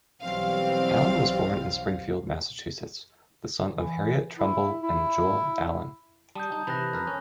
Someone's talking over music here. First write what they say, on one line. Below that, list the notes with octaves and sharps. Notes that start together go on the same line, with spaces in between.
Allen was born in Springfield, Massachusetts, the son of Harriet Trumbull and Joel Allen.
B1 E3 F#3 G3 C4 F5
E3
E4
E4
G3 A5 D#6 G6
D#4
C3 E3 B5 F#6 A#6
F2 A#4 B4
C#4